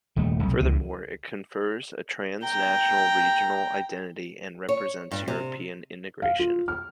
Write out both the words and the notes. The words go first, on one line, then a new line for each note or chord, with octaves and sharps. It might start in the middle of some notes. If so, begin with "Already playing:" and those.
Furthermore, it confers a trans-national regional identity and represents European integration.
D#1 D#2 G3 A3
B1 C3
C#2 E3
G5 A#5
C#5
G2
C3
F5
F4
F6